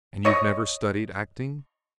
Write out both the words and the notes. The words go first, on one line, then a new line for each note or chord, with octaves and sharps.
"And you never studied acting?"
C#5 D#5